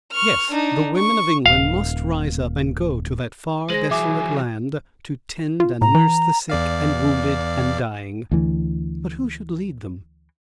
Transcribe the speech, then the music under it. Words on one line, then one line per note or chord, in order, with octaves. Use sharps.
Yes, the women of England must rise up and go to that far, desolate land to tend and nurse the sick and wounded and dying; but who should lead them?
C#6 F6
D4 D#4
C#6
D#1 F5
G#3 G#4 C5 A#6 F#7
E3 F#3 E5 G#5 D6
F4
A2 A#5
E3
E2 D5 F5
D2 E3